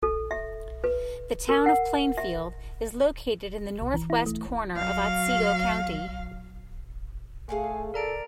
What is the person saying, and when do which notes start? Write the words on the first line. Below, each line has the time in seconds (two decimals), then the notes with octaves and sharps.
The Town of Plainfield is located in the northwest corner of Otsego County.
0.03 A4
0.31 E5
0.84 B4
1.49 A#4
1.66 F#5
2.18 E5
3.82 C2
3.94 E3
4.10 E4
4.26 A3
4.74 F#3 F5
7.49 A3 G#4 F5 F#5 G#5
7.94 A4 A#4 D5 A#5 D7